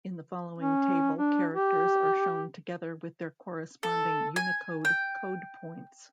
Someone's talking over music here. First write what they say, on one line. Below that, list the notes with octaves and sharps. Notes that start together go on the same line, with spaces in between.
In the following table characters are shown together with their corresponding Unicode code points.
C#4
D4
G4
A4
G#5
G5